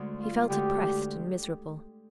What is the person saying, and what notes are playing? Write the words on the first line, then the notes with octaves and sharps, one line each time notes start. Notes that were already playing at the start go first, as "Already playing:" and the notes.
He felt oppressed and miserable.
Already playing: D2 D3 G#3
F4
D2 D3 G#3 G4